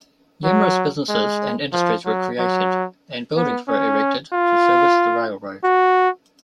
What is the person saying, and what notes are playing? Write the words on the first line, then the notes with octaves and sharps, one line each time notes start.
Numerous businesses and industries were created and buildings were erected to service the railroad.
F#3
G#3
F3
F#3
F#3
B3
C#4
F4
F#4